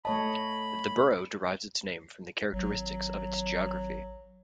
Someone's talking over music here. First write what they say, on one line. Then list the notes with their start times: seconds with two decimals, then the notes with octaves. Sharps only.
The borough derives its name from the characteristics of its geography.
0.05 A3 C#5 D#5 A5 B5
2.53 G#1 F#3